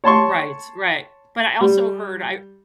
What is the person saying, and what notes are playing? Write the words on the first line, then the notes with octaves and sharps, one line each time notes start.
Right right. But I also heard I
C#5 A5 C6 C#6
G3